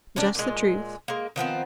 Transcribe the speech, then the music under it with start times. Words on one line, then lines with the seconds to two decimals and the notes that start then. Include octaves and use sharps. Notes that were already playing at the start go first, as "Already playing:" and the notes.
"Just the truth."
0.16 D#3 C#4 D4 G4
0.35 A#2 G#3
1.08 G#3 A#3
1.36 D#3 F3 B3 C4